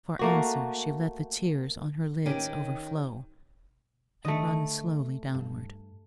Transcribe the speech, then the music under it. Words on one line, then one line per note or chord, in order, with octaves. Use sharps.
For answer, she let the tears on her lids overflow and run slowly downward.
A3 A#3 F#4
D#3 C#4 G4
D3 A3 D#5
G2